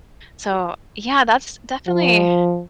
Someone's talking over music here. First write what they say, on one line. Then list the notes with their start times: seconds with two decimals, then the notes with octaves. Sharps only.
So, yeah, that's definitely
1.87 F3